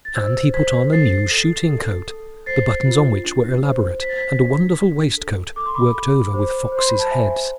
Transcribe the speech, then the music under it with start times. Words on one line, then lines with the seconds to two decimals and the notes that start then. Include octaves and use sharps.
And he put on a new shooting-coat, the buttons on which were elaborate, and a wonderful waistcoat worked over with foxes' heads.
0.05 A6
0.15 C5 E6 G#6
0.54 C5 G#6 B6
0.92 A4 A6 C7
1.31 A4
1.69 A4
2.08 A4
2.46 C5 A6 C7
2.85 F4
3.24 D4
3.63 C5
4.01 C5 B6
4.09 A6
4.17 G#6 B6
4.40 D4
4.79 D4
5.17 A4
5.56 A4 D6
5.66 C6
5.75 B5 D6
5.94 A4
6.34 C5
6.72 C5
6.77 C6
6.88 B5
6.99 A5
7.11 C5 E5 G#5